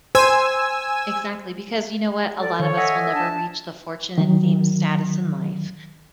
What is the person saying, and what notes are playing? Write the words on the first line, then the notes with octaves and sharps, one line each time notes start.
Exactly, because you know what? A lot of us will never reach the fortune and fame status in life,
C5 G#5 E6
A4 D5
D#3 C#5
D#5 E5 F#5 G#5
D4 A5
D#3 F#3